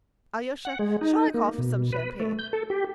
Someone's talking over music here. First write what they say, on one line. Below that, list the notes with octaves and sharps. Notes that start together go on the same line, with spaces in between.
Alyosha, shall I call for some champagne?
F#5
G#3
D#4
A#3
B2
B4
A3
G6
A4
G4